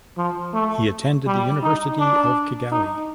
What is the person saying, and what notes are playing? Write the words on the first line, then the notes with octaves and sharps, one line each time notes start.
He attended University of Kigali.
F3
A3
G3
D#4
D4
D#4